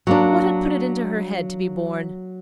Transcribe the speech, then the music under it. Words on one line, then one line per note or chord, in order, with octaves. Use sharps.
What had put it into her head to be born?
F#3 A#3 D4